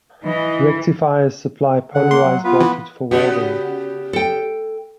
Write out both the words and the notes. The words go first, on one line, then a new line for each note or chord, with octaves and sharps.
Rectifiers supply polarised voltage for welding.
E3 D#5
D3 F#5
A#3 C6
F#3
B3 F4 B4
E3
C#3 B3 F#4 G4
A4 G5